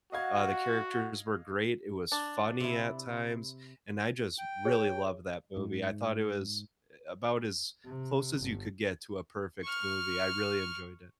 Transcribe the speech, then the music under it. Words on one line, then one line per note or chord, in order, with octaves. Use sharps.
uh, the characters were great, it was funny at times, and I just really loved that movie, I thought it was, eh, about as close as you could get to a perfect movie. I really enjoyed it.
F#4 D#5 F5 F#5 G#6
D4
C3 E4
G5
G#4 C#5
G#2
C3
G1
C#6 F6